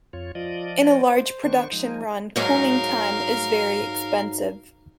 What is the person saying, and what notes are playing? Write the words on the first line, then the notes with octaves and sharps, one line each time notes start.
In a large production run cooling time is very expensive.
F2 F4 C#5
F3 F4 D5 D#5
C5
D#3 D4 C#6
F3 G#3 D#4
G#2 F#3 D#4 A#4 F5